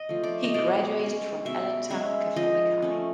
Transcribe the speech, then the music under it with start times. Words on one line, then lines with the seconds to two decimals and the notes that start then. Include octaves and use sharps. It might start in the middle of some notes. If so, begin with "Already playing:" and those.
He graduated from Allentown Catholic High.
Already playing: D#5
0.09 F3 A3
0.23 D5
0.44 D#5
0.54 B2 D5
0.99 G#3 C#4
1.45 B2 E5
1.90 G#3 C#4 E5
2.36 F3 D#5
2.82 A3 C#4